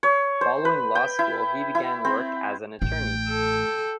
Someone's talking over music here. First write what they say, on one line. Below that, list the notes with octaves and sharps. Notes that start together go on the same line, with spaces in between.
Following law school he began work as an attorney.
C#5
C5
B4
G5
E4
E4
C4
A1 A3 G5
A4